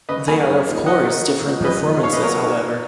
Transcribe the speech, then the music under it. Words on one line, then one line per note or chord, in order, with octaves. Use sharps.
They are of course different performances however.
C#3 B4 D#5
F#3 A#3 G#5 B5
F#2
F3 A#3 D#4
D#3 D#5 F#5
A#3 D#4
C#3
F3 G#3 B3
F#2 B4 D#5
F3 G#3 D#4
A#2 C#5 F5
B4 D#5
F#3 B3 D#4 A#4 C#5